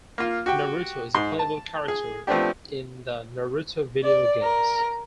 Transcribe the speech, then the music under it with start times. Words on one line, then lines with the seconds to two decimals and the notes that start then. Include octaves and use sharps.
Naruto is a playable character in the "Naruto" video games.
0.18 A#3 F4
0.46 F#4 G4 G5
1.14 G#2 C6
1.39 A5
1.88 G#4
2.27 F3 A3 B3 C4 D4 G4
4.03 D5
4.42 A#4